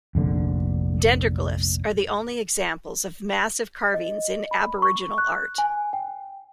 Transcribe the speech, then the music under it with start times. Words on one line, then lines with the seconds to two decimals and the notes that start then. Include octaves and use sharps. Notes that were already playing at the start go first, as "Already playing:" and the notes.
Dendroglyphs are the only examples of massive carvings in Aboriginal art.
0.15 F1 A#1 D3
3.94 D#5
4.51 B5
4.82 C#6
5.18 F#6
5.58 G#5
5.93 G5